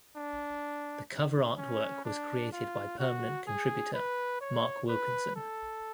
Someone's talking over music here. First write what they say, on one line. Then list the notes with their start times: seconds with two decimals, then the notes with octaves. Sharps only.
The cover artwork was created by permanent contributor Mark Wilkinson.
0.16 D4
1.58 C#4
2.05 D4
2.52 F4
2.99 F#4
3.47 G#4
3.94 B4
4.41 C#5
4.89 B4
5.36 A4